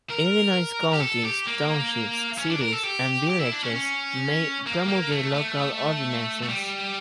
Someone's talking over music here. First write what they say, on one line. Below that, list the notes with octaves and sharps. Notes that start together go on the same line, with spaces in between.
Illinois counties, townships, cities, and villages may promulgate local ordinances.
A#4
G4
A4
G4
A#3
C#4
D4
A#4
A4
G4
G4
E4
D4
C#4
C#4
A#3
A#3
A3
A3
A3
G3